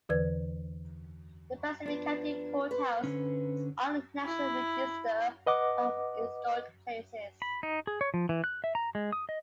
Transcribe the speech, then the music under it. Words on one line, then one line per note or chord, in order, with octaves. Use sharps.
The Pacific County Courthouse is on the National Register of Historic Places.
E2 D3 E3 B4 D5 G#6
F3 B3 D4
B4 C5
D3 C#4
E4
B4 D#5 F#5 D6
B5
D#4
G#4
C#5
F3
E3
F#6
E5
A#5
G#3
D#6
D#5